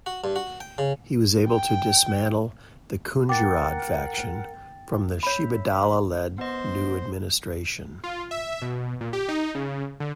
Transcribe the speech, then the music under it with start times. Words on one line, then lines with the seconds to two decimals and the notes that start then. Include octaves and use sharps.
He was able to dismantle the Khunggirad faction from the Shidibala-led new administration.
0.06 F#4
0.24 G2
0.36 F#4
0.60 G5
0.78 C#3
1.49 G5
3.29 A#4 F#5 G5 D6 A6
5.23 C#5 E5 B5
6.38 B3 C5 D#5
8.04 F4
8.31 E5
8.62 B2
9.01 A#2
9.13 G4
9.28 D#4
9.55 C#3
10.00 D3